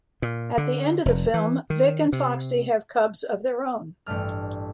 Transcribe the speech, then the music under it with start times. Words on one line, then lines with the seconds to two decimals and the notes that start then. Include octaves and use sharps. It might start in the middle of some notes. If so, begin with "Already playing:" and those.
At the end of the film, Vic and Foxy have cubs of their own.
0.22 A#2
0.58 D3
1.05 F1
1.34 E3
1.70 D#3
2.13 C3
4.06 A1 G2 G3 A3 F6